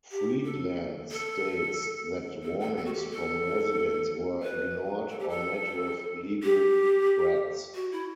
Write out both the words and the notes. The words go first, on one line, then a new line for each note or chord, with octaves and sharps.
Freedland states that warnings from residents were ignored or met with legal threats.
G4
A4
A4
A4
A4
A4
F#4
G4
A4
B4
A4
G4
A4
G4
F#4
E4